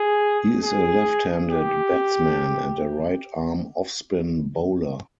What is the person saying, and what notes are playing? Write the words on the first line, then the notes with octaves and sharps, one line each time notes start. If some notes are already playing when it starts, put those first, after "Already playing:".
He is a left-handed batsman and a right-arm offspin bowler.
Already playing: G#4
G#4
G4